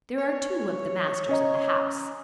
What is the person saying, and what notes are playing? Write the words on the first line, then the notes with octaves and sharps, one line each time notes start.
There are two of the masters in the House.
C#5
C#4 D#5 A#5